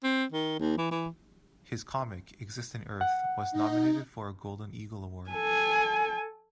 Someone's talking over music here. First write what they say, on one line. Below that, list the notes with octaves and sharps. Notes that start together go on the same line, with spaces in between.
His comic, "Existing Earth" was nominated for a Golden Eagle Award.
C4
D#3
D#2
E3
E3
F#5
D#4
A4 G#5